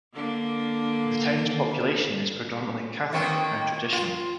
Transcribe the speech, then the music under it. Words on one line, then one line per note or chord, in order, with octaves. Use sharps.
The town's population is predominantly Catholic and traditional.
D3 A#3 D4
D#3 A#3 C4
F4